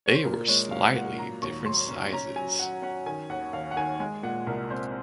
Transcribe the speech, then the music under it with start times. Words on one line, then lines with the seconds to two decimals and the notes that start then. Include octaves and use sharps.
They were slightly different sizes.
0.06 C#5
0.15 C5
0.24 A#2 A#4
0.47 G#3 C#5
0.71 C#4 F5
0.94 A#2 F#5
1.18 F#3 A#5
1.42 D#2 C#6
1.65 F#3 C6
1.89 C#4
2.12 C#4 A#5
2.36 F#3 G#5
2.59 F#3 F#5
2.82 C#4 F#5
3.06 D#3 G#5
3.29 D#2 F#5
3.53 D#2 F5
3.71 F#5
3.76 D#3 G#5
4.00 G#3 G#5
4.23 A#2 F#5
4.47 C2 A#4
4.70 C4 C5